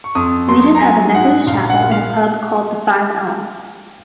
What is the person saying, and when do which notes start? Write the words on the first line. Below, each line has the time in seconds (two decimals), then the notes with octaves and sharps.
Weedon has a Methodist Chapel and a pub called the Five Elms.
0.04 C#6
0.15 F2 D#6
0.48 F#3 C6
0.75 A#5
0.81 F#3 G#5
1.14 G#2 F#5
1.47 A#1 F5
1.70 F#5
1.80 A#2
1.92 F5